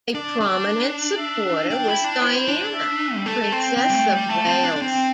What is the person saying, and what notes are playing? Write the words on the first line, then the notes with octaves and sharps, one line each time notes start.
A prominent supporter was Diana, Princess of Wales.
D4 D5
D4
E5
D4 G5
E4
D4
E4 C5
D4
E5
G3
A3 A5
C4
C4 G5
G3
A3
G3
A3 A5
C4
D4
D4
C4 G5